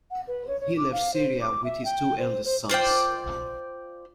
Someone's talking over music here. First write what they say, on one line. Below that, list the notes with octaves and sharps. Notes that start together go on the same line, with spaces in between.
He left Syria with his two eldest sons.
F#5
B4
C#5
C#5
D6
F5
C5
D6
E5
G5
C5
C5
F4 C5 D5 G5